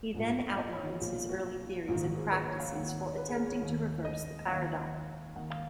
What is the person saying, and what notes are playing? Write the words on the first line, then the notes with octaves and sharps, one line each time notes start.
He then outlines his early theories and practices for attempting to reverse the paradigm.
A#1 G#2 F3
D#5
C#5
F#4
B1 A#2 F3 F4
F4
F#4
A#1 G#2 D#3 F4
F#4
G#4
B4
C#5
F5
D#2 D#3 F#5
F#5
C#5
B4
G#4
A#4
C#5
D#2 D#3
D#5
D#2 D#3 F5
D#2 D#3 F#5
F5